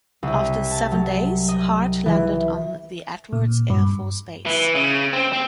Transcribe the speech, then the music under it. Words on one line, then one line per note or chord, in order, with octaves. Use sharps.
After seven days, Hart landed on the Edwards Air Force Base.
C2
A5
F#3
D#5
E3
A#2
G2
E3
C#3
C4
C4